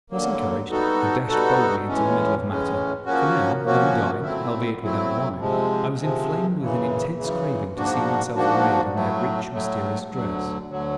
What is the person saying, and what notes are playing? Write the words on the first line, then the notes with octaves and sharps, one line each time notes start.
Thus encouraged, I dashed boldly into the middle of matter; for now, having dined, albeit without wine, I was inflamed with an intense craving to see myself arrayed in their rich, mysterious dress.
D#2 D3 F#3 A#3
G3 B3 D#4 F#4 A4
G3 B3 D#4 F#4 A4
A2 E3 G#3 C#4
A2 E3 G#3 C#4
F3 A#3 C#4 F#4
F3 A#3 C#4 F#4
F#3 A3 C4 E4
F#3 A3 C4 E4
C3 F3 G#3
C3 F3 G#3
F#2 C#3 E3
F#2 C#3 E3
G#2 F3 A#3 D4 F#4
G#2 F3 A#3 D4 F#4
A2 F#3 A3
A2 F#3 A3
D2 D3 F#3
D2 D3 F#3